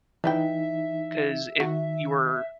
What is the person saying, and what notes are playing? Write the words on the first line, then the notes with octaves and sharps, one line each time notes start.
'Cause if you were
E3 D4 D#4 B4 E5 G5
D#3 F#4